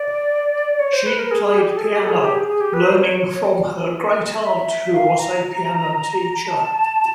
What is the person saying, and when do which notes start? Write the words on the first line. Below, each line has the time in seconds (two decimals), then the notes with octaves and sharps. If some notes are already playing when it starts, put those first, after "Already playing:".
She played piano, learning from her great-aunt who was a piano teacher.
Already playing: D5
0.79 C#5
0.93 C5
1.06 B4
1.19 A#4
1.31 G#4
1.44 G#4
1.58 G4
1.70 G#4
1.77 A4
1.84 G#4
1.96 G4
2.03 A4
2.09 G#4
2.22 G4
2.35 G#4
2.48 G#4
2.61 G4
2.74 B4
2.86 C5
2.99 C#5
3.25 C#5
4.42 E5
4.93 F5
5.19 A#5
6.48 A5